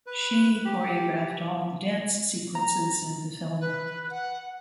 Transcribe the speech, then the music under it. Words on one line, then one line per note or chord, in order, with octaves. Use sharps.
She choreographed all the dance sequences in the film.
B4
G4
A#5
B4
F#5